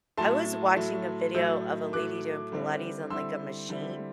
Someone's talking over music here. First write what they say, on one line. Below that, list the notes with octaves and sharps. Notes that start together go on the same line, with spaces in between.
I was watching a video of a lady doing Pilates on, like, a machine
A2 F#3 A3 A5 C6
A2 F#3 A3
A2 F#3 A3 E6 G6
A2 F#3 A3 D6 F#6
D3 G3 C4 E4
D3 G3 C4 E4 C6 E6
D3 G3 C4 E4